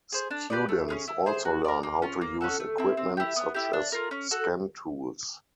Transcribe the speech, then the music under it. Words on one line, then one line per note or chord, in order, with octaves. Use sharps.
Students also learn how to use equipment such as scan tools.
G#4 C5
D4
G4 B4 D5
A3
C#4 F4 G#4
E4
G#4 C5
F#4
A#4 D5
A#3
C#4 F4
A#3
C#4 F#4 A4
A3
C4 E4
C4
E4 G4
B3
E4 G4
D4
F4 A#4
C#4
F#4 A4